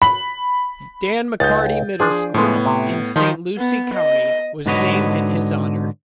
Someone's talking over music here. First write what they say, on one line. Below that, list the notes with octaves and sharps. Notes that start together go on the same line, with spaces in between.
Dan McCarty Middle School, in Saint Lucie County, was named in his honor.
B5
C#2 D#4 F#5 G6 A6
F3 D4 G#4 G#5
A2 F3 G#3 B3
C3
D#3 F3 D#4
B3
D#5
G#2 D3 F#4 B4 C#5 D#5